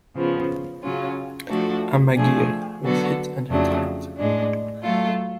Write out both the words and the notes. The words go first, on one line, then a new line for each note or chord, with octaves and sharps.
"Amagiri" was hit and retired.
C#3 F3 B3
C#3 F#3 C#4 F4
F3 A3 D4 F#4 A4
F3 A3 D4 G#4
D3 F#3 B3 F#4 A4
F2 C#3 F#3 A3 D4
A2 G#3 D4
F#3 A3 F4 A4